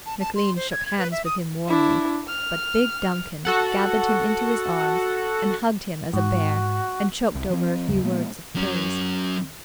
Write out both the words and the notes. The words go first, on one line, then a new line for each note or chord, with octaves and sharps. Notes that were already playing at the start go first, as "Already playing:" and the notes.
McLean shook hands with him warmly, but big Duncan gathered him into his arms and hugged him as a bear and choked over a few words of praise.
A5
A5
C6
C5
G#6
G#6
B4
E5
D#6
D4 E4
F6
F#4 A4 F#5
G#2 F#4
C2
F3 C4
G1 D#2 C#3 F#3
A#2 G#3 A#3 B3
F#3 C#4